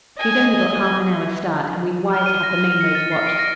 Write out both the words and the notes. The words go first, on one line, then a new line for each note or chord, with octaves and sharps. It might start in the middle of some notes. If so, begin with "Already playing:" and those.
She's only got half an hour's start, and we've wired to have the main roads watched.
D#5 G#5
F6
D#7
A#6
A#6
C#7
A6
C7
D7
A#6